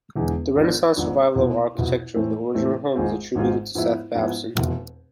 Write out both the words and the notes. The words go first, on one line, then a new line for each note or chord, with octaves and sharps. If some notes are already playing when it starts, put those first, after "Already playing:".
The Renaissance Revival architecture of the original home is attributed to Seth Babson.
E1 E2 D3 G#3
G#1 G#2 F3 B3 D4
G#1 G#2 F3 B3 D4
C2 B2 B3 F4
C2 B2 B3 F4
A2 E3 A3 C4
A2 E3 A3 C4
G#1 G#2 G#3 C4 F4
G#1 G#2 G#3 C4 F4
G#2 F3 B3 E4
G#2 F3 B3 E4
F1 E2 B2